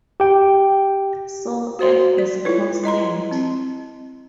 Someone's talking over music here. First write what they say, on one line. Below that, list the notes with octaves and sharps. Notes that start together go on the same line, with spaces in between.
So, "f" is constant.
G4 G5
F#4 C5 C6
D5
E4 F4 A4 B4 C#5
E4 D#5 A#5 C6
C4